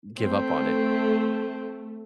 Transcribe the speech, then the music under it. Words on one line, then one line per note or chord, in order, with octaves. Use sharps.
give up on it.
A3 C4